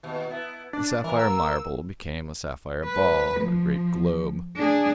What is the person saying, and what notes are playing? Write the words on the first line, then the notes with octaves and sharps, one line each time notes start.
The sapphire marble became a sapphire ball, a great globe.
D#2 B2
B3 E4
D4 D5
E3 A#3 A#4
E6
B4
F3
D4 G#4